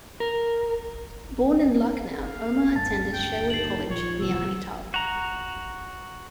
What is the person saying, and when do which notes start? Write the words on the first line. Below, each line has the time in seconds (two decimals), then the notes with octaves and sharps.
Born in Lucknow, Omar attended Sherwood College, Naini Tal.
0.20 A#4
2.23 F5
2.76 D2 G2 D3 A5 A6
3.14 G5
3.50 D#2 A5 C7 F#7
3.90 A#1 F3 C#5
4.21 D2 B2 E3 E6
4.94 F#4 A#5